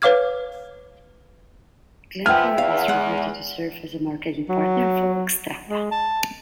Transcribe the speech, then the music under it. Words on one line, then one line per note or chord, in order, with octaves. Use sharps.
Glencore is reported to serve as a marketing partner for Xstrata.
B4 C#5 F5 D6 F6 G#6
F3 B3 E5 G5 G#5 F6
E2 F5
G#3 F#5
F#3
G#3
A5